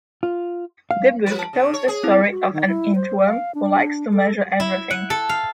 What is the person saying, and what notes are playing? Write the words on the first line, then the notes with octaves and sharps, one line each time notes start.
The book tells the story of an inchworm who likes to measure everything.
F4
F5
F3 B4
A5
C#3
C#5
G#4
C4 E4
F#4
D#3
E4
C5
F5
D4
A4
E4
F#5
A4
F5